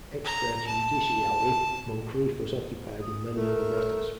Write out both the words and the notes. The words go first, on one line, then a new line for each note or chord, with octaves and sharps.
Extrajudicially Moncreiff was occupied in many other matters.
A#5
A5
D#6
A3 A#4